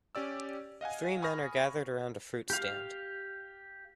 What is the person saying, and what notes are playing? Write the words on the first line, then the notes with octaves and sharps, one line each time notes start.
Three men are gathered around a fruit stand.
C#4 G4 D5 E6
D#5 F5 F#5 G#5
G#5 B5 C#6 D#6 F6 A#6
G4 F5